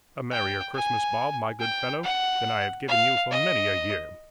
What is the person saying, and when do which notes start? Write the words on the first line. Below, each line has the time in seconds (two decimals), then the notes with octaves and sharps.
'A merrier Christmas, Bob, my good fellow, than I have given you for many a year!
0.32 G5
0.75 G#5
1.60 G5
2.03 F#5
2.88 F5
3.31 D#5